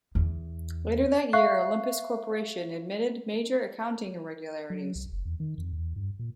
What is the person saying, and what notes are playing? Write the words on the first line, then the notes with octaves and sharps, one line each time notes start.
Later that year Olympus Corporation admitted major accounting irregularities.
E2
E5 F5 C#6 F#6 C7
F#3
C2
F#1
E2
D#3
F2
E2
G2
A#2